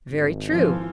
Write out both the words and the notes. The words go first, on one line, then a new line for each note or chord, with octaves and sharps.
Very true.
G#1
E3 F3 F4